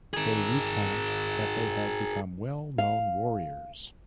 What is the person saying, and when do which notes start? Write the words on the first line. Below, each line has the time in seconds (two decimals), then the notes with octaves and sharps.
They recount that they had become well known warriors.
0.14 G#4 A#4
2.78 F5